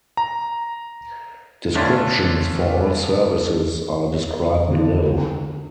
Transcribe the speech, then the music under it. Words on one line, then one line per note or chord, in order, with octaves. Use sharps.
Descriptions for all services are described below.
A#5
D3 A3 C#4 D4 F4
D3